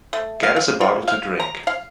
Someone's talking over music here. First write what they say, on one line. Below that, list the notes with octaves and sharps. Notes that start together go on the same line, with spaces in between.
Get us a bottle to drink.
A3
F5
F4
F4
F5
A#5
F5